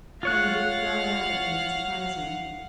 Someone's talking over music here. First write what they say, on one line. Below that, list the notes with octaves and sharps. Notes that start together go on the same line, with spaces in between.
How you did fly out at me and surprise me.
F4 C#5 F5 F#5 F#6